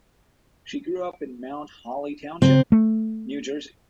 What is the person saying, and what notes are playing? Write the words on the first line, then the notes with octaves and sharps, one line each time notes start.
She grew up in Mount Holly Township, New Jersey.
C#3 C4
A3